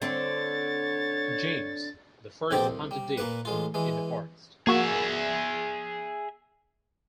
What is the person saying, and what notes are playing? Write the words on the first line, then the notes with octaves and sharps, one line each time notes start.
James the First hunted deer in the forest.
D3 C4 C#5 A6
A#1 F2 B2 C4 G4 D5
C2
G3
A#2 A#3 B4
A1 G#3 F4
E3 G#3
A#3 F#4 G#4 E5 G#6